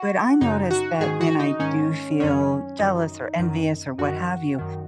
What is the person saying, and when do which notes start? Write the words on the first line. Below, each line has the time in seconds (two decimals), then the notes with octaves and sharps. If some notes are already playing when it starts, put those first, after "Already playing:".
But I noticed that when I do feel jealous or envious or what have you,
Already playing: F#4
0.41 F#2 C#3 D#4
0.71 F#4
1.00 G#2 D#3 G#4
1.21 F#4
1.40 D#4
1.59 G#2 D#3 C#4
2.20 F#2 D#3 C#4
2.79 F#2 D#3 D#4
3.39 F#2 D#3
3.98 F#2 D#3 F#4
4.59 F#2 D#3